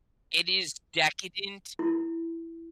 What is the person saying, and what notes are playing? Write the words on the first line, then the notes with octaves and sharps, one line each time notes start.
it is decadent
E4